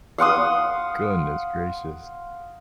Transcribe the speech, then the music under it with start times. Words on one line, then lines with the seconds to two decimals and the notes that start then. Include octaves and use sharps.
Goodness gracious.
0.18 F5 F#5 C6 D#6